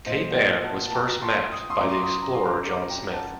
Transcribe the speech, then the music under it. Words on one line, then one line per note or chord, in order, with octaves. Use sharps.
Cape Ann was first mapped by the explorer John Smith.
A#2 F#3 C5 D#5
F#5
D#5 G5
F#5 A5
A5
G5 A#5
A5 C6
D#6
C6 D#6
F#2 F#3 A#5 D6
C6
D6
C6 D#6
A#5
C6
A#5 D6
A#5 D6
G5 A#5
F#5 A5